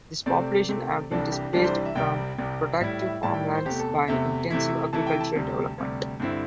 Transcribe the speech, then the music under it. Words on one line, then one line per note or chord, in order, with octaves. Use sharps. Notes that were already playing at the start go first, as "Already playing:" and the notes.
These populations have been displaced from productive farmlands by intensive agricultural development.
C3 A3 C4 D5
C3 A3 C4
C2 C3 E3 G3 D4 A4
G4
C2 C3 E3 G3 D4 A4
C5
E5
C2 C3 G3 G5
C2 C3 G3
A2 G3 E4 E5
E5
A2 G3 E4 A5
G5
D5
C5
E2 C3 A3 G4
A4
E2 C3 A3 E5
C3 E3 A3 E4 E5
C3 E3 A3 E4 A5
G5
A5
D2 C3 G3
D2 C3 G3
G2 D3 C4 E4